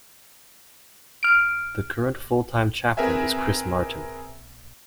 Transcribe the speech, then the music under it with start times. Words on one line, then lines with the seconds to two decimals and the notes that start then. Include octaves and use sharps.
The current full-time chaplain is Chris Martin.
1.23 F6 D7
2.97 C4 G#4 A#4 B4 E5 G#5